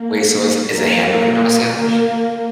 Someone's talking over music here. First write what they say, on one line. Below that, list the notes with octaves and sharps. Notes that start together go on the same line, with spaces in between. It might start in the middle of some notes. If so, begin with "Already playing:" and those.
Wait, so is is a hamburger not a sandwich?
Already playing: A#3
A#3
A#3